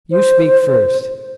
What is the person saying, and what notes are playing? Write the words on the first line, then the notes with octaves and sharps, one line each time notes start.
"You speak first."
C5